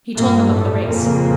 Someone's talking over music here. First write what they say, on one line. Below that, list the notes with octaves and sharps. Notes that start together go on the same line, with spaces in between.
He told them of the race.
G2 A#2 A#3
A2 A3
F2 A#2 C#3 A#3